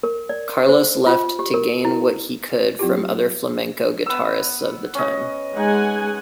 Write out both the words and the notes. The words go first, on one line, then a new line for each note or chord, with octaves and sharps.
Carlos left to gain what he could from other flamenco guitarists of the time.
A#4
D5
C5
F4
G4
A#4
E4
F#3 C4 E4 F4 G4
B3 E6
C#4 D#5
G#3 D#4 F#5 G#5